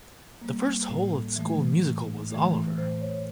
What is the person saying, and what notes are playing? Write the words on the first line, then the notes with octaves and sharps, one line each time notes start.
The first whole of school musical was Oliver!
G3 A#3
A2
E3 A3
A2
E3 A3
A2 C5
C#5